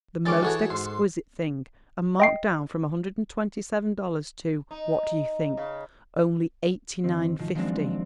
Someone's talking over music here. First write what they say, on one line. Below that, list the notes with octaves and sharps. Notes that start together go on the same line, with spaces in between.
The most exquisite thing, and marked down from a hundred and twenty-seven dollars to--what do you think?--only eighty-nine, fifty!
D#3 G#3 C#4 C#6 D6 A6
E3 F#4 G#4 A4 C#5
G#2 C6
D#5 G5 C7
D#4
C#3
G2 D#3 C4
B1 G#2 D#3 F3
D#3 F3 F#3 G#3 C4 D4